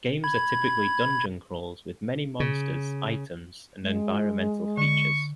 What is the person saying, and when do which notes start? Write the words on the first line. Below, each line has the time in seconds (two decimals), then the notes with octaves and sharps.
Games are typically dungeon crawls, with many monsters, items, and environmental features.
0.24 B5 G#6
2.40 C#3
3.82 G#3
4.77 D3 C#6